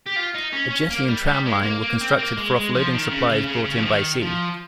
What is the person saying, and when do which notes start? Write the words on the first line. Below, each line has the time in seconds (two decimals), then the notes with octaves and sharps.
A jetty and tram line were constructed for offloading supplies brought in by sea.
0.06 G4
0.16 F4
0.35 D#4
0.53 C#4
0.71 C#4
0.90 A#3
1.08 G3
1.27 G3
1.46 G#3
1.63 A#3
1.82 A#3
2.01 C4
2.19 A#3
2.37 G#3
2.56 G#3
2.75 F3
2.93 D#3
3.11 C#3
3.29 C#3
3.48 C#3
3.66 C#3
3.78 F3
3.85 D#3
4.22 F3